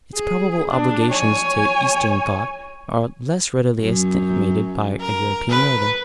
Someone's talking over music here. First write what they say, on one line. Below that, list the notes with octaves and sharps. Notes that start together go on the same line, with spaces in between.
Its probable obligations to Eastern thought are less readily estimated by a European writer.
G#4
D4
C#5 G#5
F#2
A#4
B4